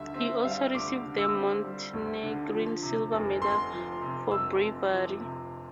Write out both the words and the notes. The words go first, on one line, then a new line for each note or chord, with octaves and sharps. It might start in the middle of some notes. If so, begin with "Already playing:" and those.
He also received the Montenegrin Silver Medal for Bravery.
Already playing: D2 D3 G3 E5
C4 E5
G3 F5
D2 D6
D3
E6
C4
G3
D2
D3
F3
C3
F1
F2 C6
F3
C3
F1 E6
F2
F3
C3